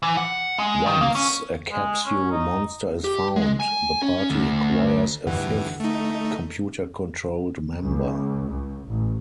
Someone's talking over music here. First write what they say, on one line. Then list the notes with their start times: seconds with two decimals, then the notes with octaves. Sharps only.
Once a Capsule monster is found, the party acquires a fifth, computer controlled member.
0.03 E3
0.17 F#5
0.59 G#3
0.86 D#3
1.01 A#3
1.15 C#4
1.72 G#3
2.06 C#4
2.32 D#4
3.04 G4
3.36 G#3
3.60 G#5
4.02 C#4
4.30 D2
5.27 E2 G2 D3 E3 F#5
5.80 A3 D#4
7.81 C#2
8.48 C#2
8.87 A1